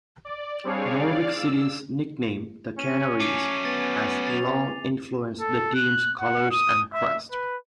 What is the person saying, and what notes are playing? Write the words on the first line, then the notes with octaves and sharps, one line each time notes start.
Norwich City's nickname, "The Canaries", has long influenced the team's colours and crest.
D5
G3 C4 D4 G#4 C#5 F5
D5 F5
E6
C#4 D#7
F#3 A3 G#5 D6 C7
B3 A6
A6 F7
A4
F#6
F#5
D#6
E5
B4